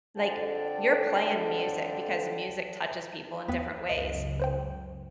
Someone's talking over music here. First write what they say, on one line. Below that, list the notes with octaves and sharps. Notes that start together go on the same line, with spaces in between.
like, you're playing music, because music touches people in different ways.
F2 D3 G5 A5
E2 B3 B4 F#5
C#2 F#2 D#5
B4 C5 G5